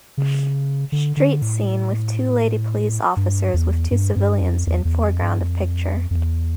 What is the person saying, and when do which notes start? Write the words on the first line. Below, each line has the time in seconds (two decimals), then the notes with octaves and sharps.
Street scene with two lady police officers with two civilians in foreground of picture.
0.17 C#3
0.92 D3
1.17 D3
1.42 A2
3.17 G2
3.54 E2
3.91 G2
4.16 G2
4.41 F2
4.67 E2
4.85 E2
5.03 F2
5.22 G2
5.40 F2
6.11 F2
6.15 E2